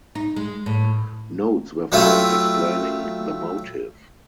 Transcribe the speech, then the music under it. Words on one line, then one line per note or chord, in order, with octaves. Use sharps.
Notes were found explaining the motive.
D#4
G#3
A2
F#3 A3 C4 E4 F4